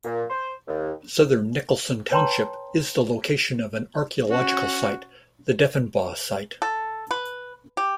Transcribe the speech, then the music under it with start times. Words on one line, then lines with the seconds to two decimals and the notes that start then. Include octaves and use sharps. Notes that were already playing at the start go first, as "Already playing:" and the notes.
Southern Nicholson Township is the location of an archaeological site, the Deffenbaugh Site.
0.05 A#2
0.29 C5
0.68 D#2
2.11 B4 C#5 G5 A5 A#5 C6
4.29 C#4 F#4
6.62 A4
7.11 B4
7.77 G4